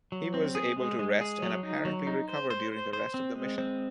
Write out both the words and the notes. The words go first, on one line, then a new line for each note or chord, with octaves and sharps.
He was able to rest and apparently recover during the rest of the mission.
F#3
C4
G#4
G#3
G#3
G#4
F#3
D#4
F#3
D#4
C5
C5
C5
C5
C4
G#3
C4